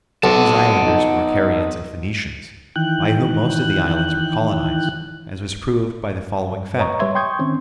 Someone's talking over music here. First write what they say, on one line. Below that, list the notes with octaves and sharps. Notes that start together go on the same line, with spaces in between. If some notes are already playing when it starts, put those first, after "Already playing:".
These islanders were Carians and Phoenicians, by whom most of the islands were colonized, as was proved by the following fact.
B1 F#4 F#5 A5
D#4
D#3 E3 G5 F#6
G2
B4 C#5 D#5 A#5 C#6
G3 B4 C#5 E5 C6 G#6
G5 C6 C#6 D#6 G6 G#6
D#3 C4 C#4